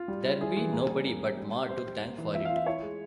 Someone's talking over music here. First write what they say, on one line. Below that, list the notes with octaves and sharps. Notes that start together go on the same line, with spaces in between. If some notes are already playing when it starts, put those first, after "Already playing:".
There'll he nobody but Ma to thank for it.
Already playing: F4
G3
G3
E4 G#4
E3
A#3
G3
A#3
C#4
G3
G3
G4 C5
G4
A#3
E3
F4 E5
F5
F4
E5
E4 C#5
G#3